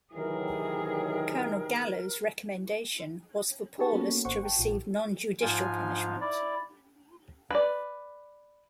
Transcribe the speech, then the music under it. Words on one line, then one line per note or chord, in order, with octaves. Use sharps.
Colonel Gallo's recommendation was for Paulus to receive non-judicial punishment.
D2 C3 D#3 E3 F#3 G#4 A#4
D#4 G4 G#4 B4 A5 C#6
A#3 B3 C#4 F#4 A4
G#1 C5 F#5 C#6
G5 A5
A#1 F4
G#2 F3 F4 G#5
E4 D5
B4 D5